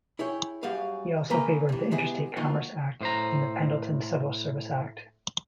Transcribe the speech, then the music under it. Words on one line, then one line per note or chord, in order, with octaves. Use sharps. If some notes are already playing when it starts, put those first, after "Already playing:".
He also favored the Interstate Commerce Act and the Pendleton Civil Service Act.
E4 G#4 C#5 G5
F#2 F#3 G3 G#4 F5
C#3 A#3 B4 G5 A#5
C3 E3
C3 G#3 B3 E4 G#4
F#3 A3 A#3 D#4 F4 F#5
A2 C5 A#5